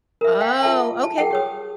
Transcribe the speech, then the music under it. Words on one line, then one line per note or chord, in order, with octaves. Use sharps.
Oh, okay.
A#4 E5
F5 G5
F4 A4 E5 A5
A5
G#4 A#4 F#5 G5
G4 C#5 D#6